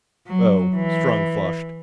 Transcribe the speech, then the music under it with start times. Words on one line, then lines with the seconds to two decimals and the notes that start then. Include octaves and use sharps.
"Oh--" Strong flushed.
0.27 F#3
0.76 E3